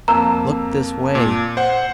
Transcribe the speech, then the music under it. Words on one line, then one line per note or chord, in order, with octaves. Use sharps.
Look this way!
F2 A#3 A#5 E6
A#2
C5 F#5